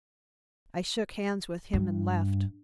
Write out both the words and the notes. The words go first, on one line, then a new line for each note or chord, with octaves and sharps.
I shook hands with him and left.
G2